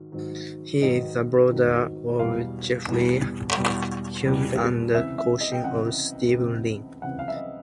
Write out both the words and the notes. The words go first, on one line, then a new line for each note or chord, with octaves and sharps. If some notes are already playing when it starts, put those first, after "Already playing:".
He is the brother of Jeffrey Huang and cousin of Steven Lin.
Already playing: G#2 D#3 F#3
G#2 D#3 F#3
G#2 D#3 F#3 D#5
G#2 D#3 F#3
E2 B2 G3 F5
E2 B2 G3
E2 B2 G3
E2 B2 G3
C#2 C3 E3 E5
E5
D#5
G5
C#2 C3 E3 F#5
C#2 C3 E3
C#2 C3 E3 F#5
F5
E5
D#5